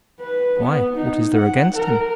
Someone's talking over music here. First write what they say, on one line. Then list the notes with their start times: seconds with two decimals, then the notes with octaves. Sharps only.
"Why, what is there against him?"
0.20 B4
0.59 B3
0.96 D#4
1.34 F#5
1.76 A#4